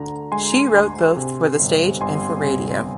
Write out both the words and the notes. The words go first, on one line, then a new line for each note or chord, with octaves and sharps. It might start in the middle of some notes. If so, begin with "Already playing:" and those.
She wrote both for the stage and for radio.
Already playing: D2 D3 A#5
G#3 G#5 C6
D2
C3
G1
G1 G#5 C6
C3